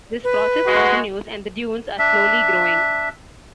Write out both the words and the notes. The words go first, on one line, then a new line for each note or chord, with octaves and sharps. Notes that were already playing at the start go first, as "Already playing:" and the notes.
This process continues, and the dunes are slowly growing.
B4
G#3 F#4
D4 E5